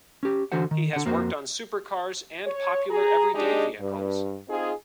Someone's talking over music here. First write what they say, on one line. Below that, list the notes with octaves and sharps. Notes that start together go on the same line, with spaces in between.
He has worked on supercars and popular everyday vehicles.
C#4 G4
D3 E3 F#4 C5 F#5
D#3
D3 F#5
F2 A#3 F#4 C5
C#5
G#4 A#5
G#3 D4 D#4 G4 G#4
G2
C4 D#4 F4 G#4